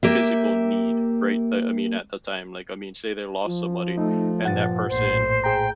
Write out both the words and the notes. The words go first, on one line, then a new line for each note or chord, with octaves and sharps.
physical need, right? I I mean, at the time, like, I mean, say they lost somebody and that person,
A#3 G4 E5
F3
A3 D#4
G2 A#2 F#5 A6
A#1 A2 C5
G#4 G5 A#5